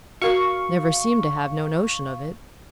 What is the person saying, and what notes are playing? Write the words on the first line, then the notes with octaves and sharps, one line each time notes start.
Never seemed to have no notion of it.
F#4 A#4 F5 C#6